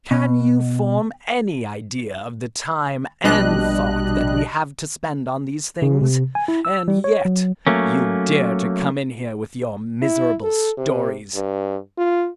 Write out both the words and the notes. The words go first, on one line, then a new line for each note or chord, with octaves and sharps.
Can you form any idea of the time and thought that we have to spend on these things, and yet you dare to come in here with your miserable stories.
B2
A#1 B2 G3 D4 D#5 F#6
C#3
C3
G#5
E4
E6
G3
C#5
F#3
F#3 A3 A#3 C#4
E4
A4
C3
G2
F4